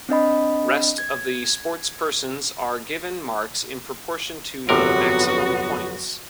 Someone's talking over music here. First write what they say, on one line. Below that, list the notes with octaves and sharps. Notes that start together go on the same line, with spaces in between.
Rest of the sportspersons are given marks in proportion to the maximum points.
C4 D4 D#5 B5
G#6
G1 F2 C3 F#3 B3 F#4 A#4